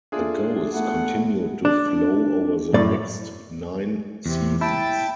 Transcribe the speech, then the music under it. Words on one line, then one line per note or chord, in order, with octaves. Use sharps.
The goals continued to flow over the next nine seasons.
A#3 D4 F4 G#4 A4 E5
A3 B3 F#5
D4
F#2 A2 D5
E2 C3
E4 G5 A5